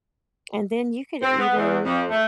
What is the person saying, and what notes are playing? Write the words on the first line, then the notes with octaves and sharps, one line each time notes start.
and then you could even
C4
B3
E2
F2
A3